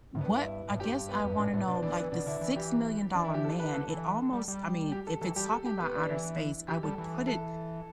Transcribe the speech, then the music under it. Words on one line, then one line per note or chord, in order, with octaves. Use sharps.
what I guess I wanna know, like The Six Million Dollar Man, it almost I mean, if it's talking about outer space, I would put it
A2
G2 B3
E4
A2
G2 G4
B3
E2
G2
A2 D4
A2 B3
B2 D4
E3 D4
E3 B3
B2 D4
D3 E4
E3
E3 G4
E3 D4
E4
G4
A4
B4
D3 A4
E3
G3
G3
G4
A4
E3 A4
G3 G4
A4
G4
B3
D4
E3 E4
E3 G4
G3 A4
E3
A4